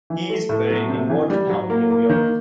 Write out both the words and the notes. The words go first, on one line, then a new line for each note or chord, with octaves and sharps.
He is buried in Watertown, New York.
E3
A3
A2
F#3
C3
E3
G3
F#3
A#3
A#3
D#3